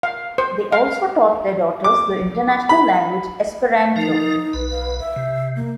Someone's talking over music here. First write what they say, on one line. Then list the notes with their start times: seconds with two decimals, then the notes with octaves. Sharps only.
They also taught their daughters the international language Esperanto.
0.03 F5
0.38 C5
0.72 F5
1.84 D6
2.69 B5
3.96 F3 D#4 A#4
4.53 B1 B4
4.71 F5
5.00 E5
5.16 C3
5.56 A#3